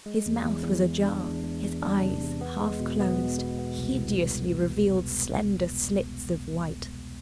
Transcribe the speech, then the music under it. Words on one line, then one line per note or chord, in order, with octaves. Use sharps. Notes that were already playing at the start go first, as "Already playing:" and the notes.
His mouth was ajar; his eyes, half closed, hideously revealed slender slits of white.
G#3
E2
E2
E2
E2
D4
E2
E2
E2
D4
C3
E2
B3
G#3
B2
B3
B2
B2
B3
C2
C2